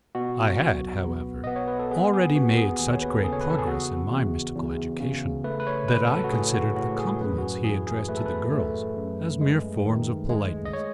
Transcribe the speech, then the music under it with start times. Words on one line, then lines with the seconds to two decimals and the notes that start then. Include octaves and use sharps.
I had, however, already made such great progress in my mystical education, that I considered the compliments he addressed to the girls as mere forms of politeness.
0.15 B2 F#4
0.59 B1
1.03 B3
1.44 B3 D#5
1.56 C#5
1.68 B4
1.79 A4
1.91 B3 G#4
2.13 G#4
2.36 B3 F#4
2.57 G#4
2.79 D#2 G#4
2.91 C#5
3.02 B4
3.13 A4
3.23 C#3 G#4
3.32 C#5
3.41 B4
3.50 A4
3.58 G#4
3.67 E2 F#4
4.12 E2
4.56 E2
5.00 C#3
5.44 A3 B4
5.60 B4
5.67 C#5
5.88 A1 B4
6.10 A4
6.24 F#4
6.32 A2 G#4
6.54 F#4
6.76 A2 F#4
6.99 G#4
7.21 F#2 B4
7.38 F#4
7.42 G#4
7.64 E3 G#4
7.87 G#4
8.08 A3 B4
8.17 A4
8.26 B4
8.52 A3
8.97 F#2
9.41 G#3
9.85 D#3
10.29 G#3
10.65 D#5
10.73 C#5